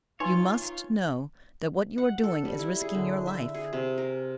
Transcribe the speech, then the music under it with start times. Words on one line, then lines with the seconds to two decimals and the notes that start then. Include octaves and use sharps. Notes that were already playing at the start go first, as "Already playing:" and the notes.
You must know that what you are doing is risking your life.
0.20 D#4 F4 B4 C#5 F5 G#5 C6
1.98 F#5
2.24 A4
2.45 G3
2.59 E4
2.81 G#4
2.95 D3
3.27 E5
3.54 G#4
3.73 C3
3.98 A#4